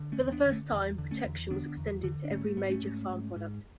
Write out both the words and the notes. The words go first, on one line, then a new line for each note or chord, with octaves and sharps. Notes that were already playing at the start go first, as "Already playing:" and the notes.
For the first time protection was extended to every major farm product.
Already playing: D3
A3 C#4
E2
B3 D4
D3
A3 C#4
E2
D3
A3 C#4
E2
D3 B3 D4
E2
D3
D4
G#2 A3 C#4
A3
G#2 B3
A3 C#4
G#2
G#2
G#2